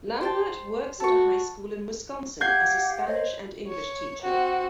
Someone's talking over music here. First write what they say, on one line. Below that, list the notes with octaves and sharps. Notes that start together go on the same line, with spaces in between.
Lambert works at a high school in Wisconsin as a Spanish and English teacher.
C5 G5 A5
F#4 A4 C#6
G4 F5 F#5 G6 G#6 C7
C5 C#5 D#5
C#5
C4 F#4